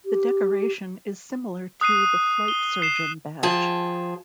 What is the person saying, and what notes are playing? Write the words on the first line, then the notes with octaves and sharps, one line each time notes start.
The decoration is similar to the Flight Surgeon Badge.
G4
D#6 F#6 C7 D#7
G7
C7 E7
F3 G#4 G5 A5